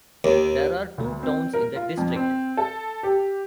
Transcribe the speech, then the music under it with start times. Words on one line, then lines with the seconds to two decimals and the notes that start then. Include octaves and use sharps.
There are two towns in the district.
0.24 D#2
0.98 D2
1.23 C4
1.53 A#4
1.76 F4
1.97 F2
2.16 C4
2.57 A4
3.03 G4